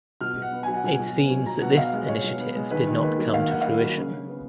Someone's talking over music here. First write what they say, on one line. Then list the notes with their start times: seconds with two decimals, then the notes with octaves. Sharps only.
It seems that this initiative did not come to fruition.
0.21 B2 F6
0.37 B2
0.42 F#5
0.53 B3
0.63 F#3 G#5
0.74 F#5
0.84 B2 G#5
0.99 B2
1.14 B3
1.30 F#3
1.46 B2 A#5
1.61 B2 F#5
1.77 B3 F5
1.93 G#3
2.08 B2 C#5
2.24 B2
2.40 B3
2.55 G#3
2.71 D#3 B4
2.86 D#3
3.02 A#3 B4
3.18 F#3
3.34 D#3 F5
3.48 D#3 F#5
3.61 A#3 F5
3.81 F#3
3.97 C#3
4.12 C#3
4.27 B3